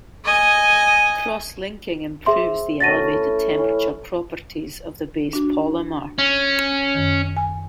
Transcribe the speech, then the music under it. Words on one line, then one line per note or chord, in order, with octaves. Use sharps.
Crosslinking improves the elevated-temperature properties of the base polymer.
D#5 G#5
C4 G#4 E5 C6
B2 A3 C#4 A6 A#6 D#7
E4
E3 C#4
D4 F#4
C#4
F#2 D#3
G#5